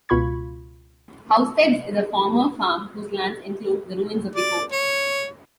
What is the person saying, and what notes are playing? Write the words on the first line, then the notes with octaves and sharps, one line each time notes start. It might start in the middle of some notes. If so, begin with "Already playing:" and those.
Housesteads is a former farm whose lands include the ruins of the fort.
C#2 B2 F4 B5 C#6 G#6
D5
C#5